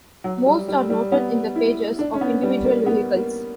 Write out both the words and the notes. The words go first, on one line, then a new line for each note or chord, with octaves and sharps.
Most are noted in the pages of individual vehicles.
F#3
G3
G3
G3
B3
E4
D4
C#4
B3
G3
A#3
B3
A#3